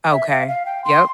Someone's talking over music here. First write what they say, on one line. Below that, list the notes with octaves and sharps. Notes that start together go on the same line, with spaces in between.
Okay, yep.
E5
F5
F5
G5
C6